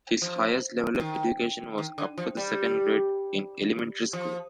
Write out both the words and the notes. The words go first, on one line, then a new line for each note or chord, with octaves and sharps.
His highest level of education was up to the second grade in elementary school.
F3
D#3
D#3
D3
F3
G3
F3